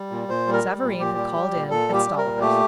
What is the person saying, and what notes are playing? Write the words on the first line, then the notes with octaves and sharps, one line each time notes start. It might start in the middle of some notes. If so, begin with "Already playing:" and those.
Savareen had called in at Stollivers.
Already playing: G3
A#2
A#2 C5
G3
A#4
G3
A#2
A#2 G4
G3
G3
A#2
A#2 A4
G3
G4
G3
A#4
A#2
A3 G4